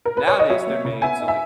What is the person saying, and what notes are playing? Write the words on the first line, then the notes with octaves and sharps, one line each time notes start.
Nowadays, they're made to, like
A#4
B4
C#5
D#5
F#3 C#5 E5
A#3
C#3
B3 E5 G#5
D#4
E5 G#5